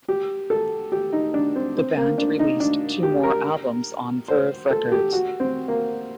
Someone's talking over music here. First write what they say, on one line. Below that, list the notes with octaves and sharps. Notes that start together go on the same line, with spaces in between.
The band released two more albums on Verve Records.
G4
A4
G4
D#4
D4
C4
C4
A#3
D4
D#4
D4
G4
A#4
C5
A4
G4
F#4
C4
A#3